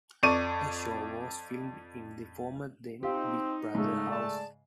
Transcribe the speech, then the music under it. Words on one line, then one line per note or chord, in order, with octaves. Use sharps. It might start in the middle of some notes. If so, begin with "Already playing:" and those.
The show was filmed in the former then "Big Brother" House.
F2 D5 C#6 D#7
C4 D#4 F4 G4
G#2 C#3 A3
G#4 D5 A5